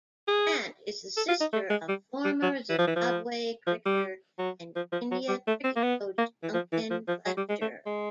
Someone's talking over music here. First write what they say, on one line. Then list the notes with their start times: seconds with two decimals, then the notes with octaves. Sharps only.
Grant is the sister of former Zimbabwe cricketer and India cricket coach Duncan Fletcher.
0.28 G#4
1.17 A4
1.29 F4
1.41 D#4
1.53 A3
1.70 G#3
1.89 G3
2.25 G3
2.42 F#3
2.70 E3
2.79 F3
2.87 E3
2.96 F3
3.67 F3
3.86 G3
4.39 F#3
4.76 F3
4.92 F3
5.12 F#3
5.28 G3
5.47 A3
5.64 C4
5.76 A#3
5.83 B3
6.18 A#3
6.43 E3
6.54 F3
6.73 E3
6.91 F3
7.08 F3
7.26 F#3
7.37 G3
7.49 G#3
7.62 A3
7.86 G#3